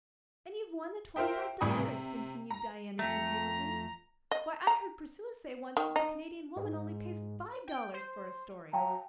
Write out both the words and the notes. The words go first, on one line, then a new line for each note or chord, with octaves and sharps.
"And you've won the twenty-five dollars," continued Diana jubilantly. "Why, I heard Priscilla say once that the Canadian Woman only pays five dollars for a story!"
F4 A#4 C5 E5 G5
G#1 A2 G3 G#5 B5 D#6
C3
A#5
F2 A3 A#5
D#5
A#5
D#3
D#4
G#2
G5
C5
F#3 F5 G5 A5 A#5